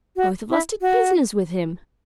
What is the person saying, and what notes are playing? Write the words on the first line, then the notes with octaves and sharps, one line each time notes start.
Both of us did business with him.
F#4
E4
F#4